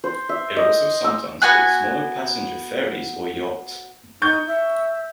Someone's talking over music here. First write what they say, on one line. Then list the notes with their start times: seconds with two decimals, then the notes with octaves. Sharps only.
It also sometimes builds smaller passenger ferries or yachts.
0.04 C5
0.29 E5
0.57 D#5
1.04 E6
1.42 B3 F#4 G#5 F#6
4.22 D#4 C#6 G6
4.47 E5